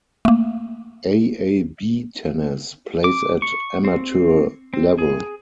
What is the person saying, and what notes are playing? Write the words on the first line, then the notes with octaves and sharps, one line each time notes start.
AaB Tennis plays at amateur level.
A3 A#3
D6
C#6
C4
C4
G#4